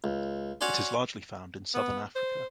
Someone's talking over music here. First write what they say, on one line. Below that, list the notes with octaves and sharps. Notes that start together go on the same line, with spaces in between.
It is largely found in southern Africa.
C#2
C#4 F#4 C#5 D5 G#5 C6
B3
C5